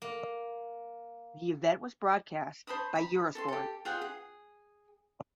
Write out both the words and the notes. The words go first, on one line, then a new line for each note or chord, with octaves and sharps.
The event was broadcast by Eurosport.
A#3
C5 A5 B5 D#6
B5
A4 A5 C6
G4 A4
F4 G#4 F#5 G5
G#4